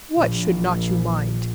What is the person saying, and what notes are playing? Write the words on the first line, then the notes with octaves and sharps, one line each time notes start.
"What should not you mind?"
A#1